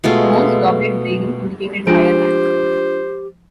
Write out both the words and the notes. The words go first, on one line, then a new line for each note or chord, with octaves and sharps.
More elaborate braiding indicated higher rank.
B2 G#3 A3 F4
F3 G#3 D4 F4 G4 G#4 C5 D7